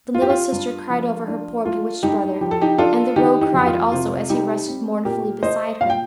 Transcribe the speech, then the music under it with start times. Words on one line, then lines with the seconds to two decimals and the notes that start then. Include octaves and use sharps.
The little sister cried over her poor bewitched brother, and the roe cried also as he rested mournfully beside her.
0.14 A3 F4
0.22 G4
0.30 F4
0.52 G2
0.90 F3
1.28 D4
1.65 A3 F4
2.03 G2 D#4 G4
2.41 F3 G4
2.51 A4
2.61 D#4 G4
2.78 D4 F4 A4
3.16 D#3 D#4 G4
3.41 D#4 G4
3.54 F2
3.59 G4
3.67 F4
3.92 C3 F4
4.29 G3 D#4 G4
4.68 C4
5.05 A#2 G4 A#4
5.43 A3 C5 D#5
5.81 A#2 F5
5.90 G5